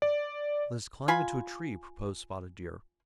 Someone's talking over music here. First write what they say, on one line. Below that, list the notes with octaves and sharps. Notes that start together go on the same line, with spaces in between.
"Let us climb into a tree," proposed Spotted Deer.
D5
F4 G#5 B5